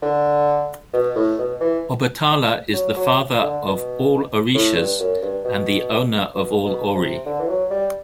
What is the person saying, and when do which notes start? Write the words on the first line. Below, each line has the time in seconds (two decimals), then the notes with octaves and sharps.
Obatala is the father of all Orishas and the owner of all ori.
0.02 D3
0.93 B2
1.15 A2
1.38 B2
1.61 E3
2.73 F#3
2.96 F#3
3.41 D3
3.65 B2
4.54 A2
4.76 G2
4.99 F#2
5.22 G2
5.44 B2
6.35 B2
6.65 B2
6.95 C3
7.26 D3
7.40 E3
7.48 F#3
7.70 G3